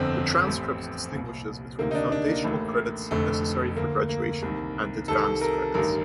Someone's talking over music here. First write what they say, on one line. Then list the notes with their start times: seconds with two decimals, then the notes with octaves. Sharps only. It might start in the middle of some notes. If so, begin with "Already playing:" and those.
The transcript distinguishes between "foundational credits" necessary for graduation and "advanced credits".
Already playing: G1 F2 D3 C4
0.47 A1 A2
1.12 C2 A#2
1.78 D2 C3 D#3 A#3
1.91 D#4
1.95 D4
2.12 D4
2.28 A#3
2.44 A1 A2
3.11 F1 F2 D3 A3
3.76 D2 D3 A#3
4.09 A#3
4.42 C2 C3 D#3
5.08 C2 C3 D#3 A4
5.41 A#4
5.74 A1 G2 D#3 A#4